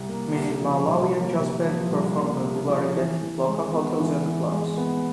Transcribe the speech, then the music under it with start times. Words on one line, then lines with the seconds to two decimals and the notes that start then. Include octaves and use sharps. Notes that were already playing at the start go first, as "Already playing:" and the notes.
Many Malawian Jazz band perform regularly at local hotels and clubs.
Already playing: C2
0.09 A#3
0.35 C3
0.61 F3
0.87 C2
1.13 A#3
1.39 C3
1.65 F3
1.91 C2
2.17 A#3
2.44 C3
2.69 F3
2.95 E3
3.22 E3
3.47 G#3
3.74 B3
4.00 E3
4.26 E3
4.52 G#3
4.78 B3